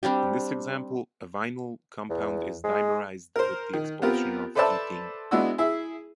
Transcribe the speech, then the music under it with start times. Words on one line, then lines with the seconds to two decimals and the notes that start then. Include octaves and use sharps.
In this example, a vinyl compound is dimerized with the expulsion of ethene.
0.03 G3 C4 D4 G4
2.10 E2
2.64 G#3
3.36 A#4 C5
3.73 D#3
4.02 B3 C4 F4 G4 A#4
4.55 A4 B4 C5 D5 E5 A5
5.31 G#3 B3 D4 E4 F#4 E6
5.58 E4 G#4 E5